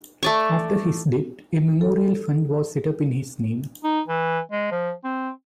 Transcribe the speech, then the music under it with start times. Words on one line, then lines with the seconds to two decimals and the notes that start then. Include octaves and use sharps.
After his death, a memorial fund was set up in his name.
0.23 A3 D5 C#6
1.81 A4
3.84 D#4
4.08 E3
4.52 G#3
4.71 F3
5.04 C4